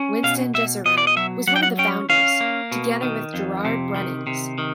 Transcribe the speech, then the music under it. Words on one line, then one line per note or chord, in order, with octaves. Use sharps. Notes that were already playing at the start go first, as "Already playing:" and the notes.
Winston Jessurun was one of the founders, together with Gerard Brunings.
Already playing: C#4
B2 F5
B2 E5
B2 D#5
D5
D#5
F#3 E5
F#3 F#5
G5
F#5
C#4 G5
C#4 F5
A#3
B2
D#3
F2
C3
D#3
C3
D#3